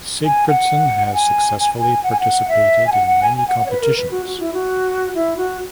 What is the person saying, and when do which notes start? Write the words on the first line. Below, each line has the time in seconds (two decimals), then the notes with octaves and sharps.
Sigfridsson has successfully participated in many competitions.
0.25 G#5
0.48 F#5
1.07 F#5
1.14 G#5
1.60 G#5
1.79 G#5
2.03 F#5
2.12 G#5
2.20 F#5
2.48 E5
2.87 G#5
2.92 F#5
3.07 F#5
3.23 G#5
3.37 G#5
3.48 F#5
3.59 F#5
3.66 C#5
3.70 B4
3.81 A#4
3.96 B4
4.11 F#4
4.26 F#4
4.40 E4
4.54 F#4
5.15 E4
5.37 F#4